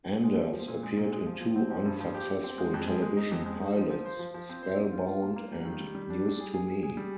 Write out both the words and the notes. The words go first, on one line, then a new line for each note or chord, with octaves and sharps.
Anders appeared in two unsuccessful television pilots, "Spellbound" and "News To Me".
G#3
F3
F3
A#2
G#3
A#2
G#3
F3
F3
C4
F3
G2
F3
G4
G4
C4
G#3
F2
G#3
G#3
D#4
F2
G#3
D#4
F3
F3
C5
F3
F3
C4
C5
C4
F4
F4
A#3
A#3
G3
D#3
G3
G3
D4
G3
G#4
G#4
G#4
G#4
G3